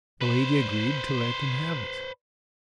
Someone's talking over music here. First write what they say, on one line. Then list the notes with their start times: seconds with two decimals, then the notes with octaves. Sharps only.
The lady agreed to let them have it.
0.21 B4 C5